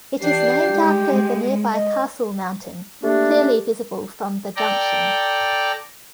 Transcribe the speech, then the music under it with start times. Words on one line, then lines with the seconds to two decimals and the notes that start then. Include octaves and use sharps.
It is named after the nearby Castle Mountain, clearly visible from the junction.
0.21 E3 D4 G4 C7
0.73 G#3
1.73 D#5
3.03 A3 A#3 D4 G4
4.56 A4 D5 G5 A#5